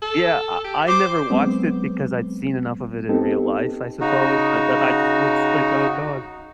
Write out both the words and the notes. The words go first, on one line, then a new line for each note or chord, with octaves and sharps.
Yeah. I I never watched it because I'd seen enough of it in real life, I suppose. But but I just would s like, "Oh god."
A4
G4
C5 D6
F#3 G#3 B3 C4
B3 C4 D#4 G4 A4
C#3 D#4 F#4